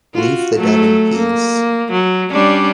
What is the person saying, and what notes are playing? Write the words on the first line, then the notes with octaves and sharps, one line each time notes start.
Leave the dead in peace!
F4 F#4
F#3 A3 A4
A#3
F#3
G3 C#4 D4